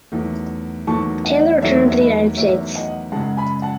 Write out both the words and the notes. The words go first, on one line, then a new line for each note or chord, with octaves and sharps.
Taylor returned to the United States.
E2 D#3 F#3 A3
E2 D#3 F#3 A3 A5 C#6
D#5 F#5
E2 D#3 F#3 A3 C#5 E5
E5
B4 D#5
E2 D#3 F#3 A3 C#5 E5
D#5 F#5
F#2 C#3 G#3 F#5 A5
G#5 B5
F#5 A5